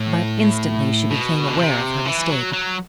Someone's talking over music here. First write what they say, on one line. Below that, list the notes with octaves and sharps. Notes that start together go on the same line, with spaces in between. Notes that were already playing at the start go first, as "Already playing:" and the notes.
But instantly she became aware of her mistake.
Already playing: A2
B2
D3
C3
E3
F#3
F#3